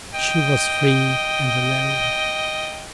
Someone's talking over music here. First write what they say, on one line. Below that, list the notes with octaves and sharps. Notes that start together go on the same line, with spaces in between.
She was free and alone.
D#5 G5